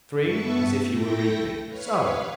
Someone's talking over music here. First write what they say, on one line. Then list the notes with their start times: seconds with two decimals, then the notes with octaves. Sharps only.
Three, as if you were reaping--so.
0.19 G2 B3 B4 E5 A5 C#6
0.82 A3 E4 A4 G5 A#6
1.64 B4 C#5 F5